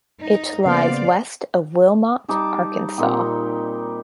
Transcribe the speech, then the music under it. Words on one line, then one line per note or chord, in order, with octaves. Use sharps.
It lies west of Wilmot, Arkansas.
D#4
C#3 A#3 B3 C5 D5 F5
G3 D#4 A5 D6
A#2 C4 D#4 G4